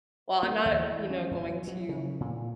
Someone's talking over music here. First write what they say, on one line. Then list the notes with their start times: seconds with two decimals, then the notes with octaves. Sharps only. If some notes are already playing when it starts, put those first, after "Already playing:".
well, I'm not, you know, going to
0.43 A#3
0.65 D#2
0.80 E3
1.10 C#4
1.31 E2
1.47 F#3
1.67 F#3
1.89 C#3
2.20 A#2